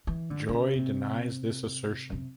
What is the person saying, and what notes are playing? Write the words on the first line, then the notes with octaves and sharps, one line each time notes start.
Joy denies this assertion.
E3
D3
D3
C#3
C3
C3